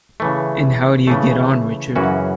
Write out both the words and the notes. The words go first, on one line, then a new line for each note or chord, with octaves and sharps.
And how do you get on, Richard?
C#3 E3 A3
C#3 E3 A3
F#2 C#3 E3 C#4 F#4